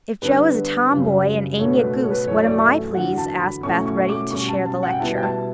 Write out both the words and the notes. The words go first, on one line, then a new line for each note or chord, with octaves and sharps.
"If Jo is a tomboy and Amy a goose, what am I, please?" asked Beth, ready to share the lecture.
D3 G3 B3 D4 B4
F#2 C#3 G3
B2 A3 D4 C#5
B4
A4
C#5
B4
F#2 E3 A3 C#5
D5
E5
E2 D3 F#3 F#5
A5
B5
B2 A3 C#4 E4 C#6
C#6
C#6
D6
B2 G3 C#4 C#6
A5
A5
F#5
G5
B2 G3 B3 E4 A5
G5
A5